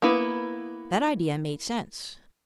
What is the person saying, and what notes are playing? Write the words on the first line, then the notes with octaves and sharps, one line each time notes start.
That idea made sense.
A#3 B3 E4 B4